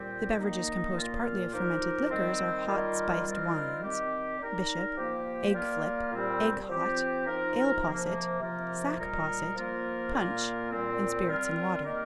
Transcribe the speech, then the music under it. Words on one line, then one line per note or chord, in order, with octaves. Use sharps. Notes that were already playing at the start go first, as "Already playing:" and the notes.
The beverages composed partly of fermented liquors, are hot spiced wines, bishop, egg-flip, egg-hot, ale posset, sack posset, punch, and spirits-and-water.
Already playing: A#2 G3 C4 G4
D#3 A#3 D#4
A#2 A#3 F4 A#4
F3 D#4 G4 A#4
D#3 G3 C4
D#3 G3 A#3 F4
D#3 G3 C4 F4 A#4
D#3 C4 G4
G3 D#4 A#4
F3 A#3 G4
G3 A#3 F4 A#4
A#2 G3 C4 G4
F3 C4 G4
F3 D#4 A#4
C3 F3 A#3
C3 F3 A#3 F4 A#4
A#2 G3 D#4 A#4
F3 A#3 F4 A#4
A#2 A#3 F4 A#4
A#2 G3 C4
G3 C4 F4 A#4
D#3 A#3 G4 A#4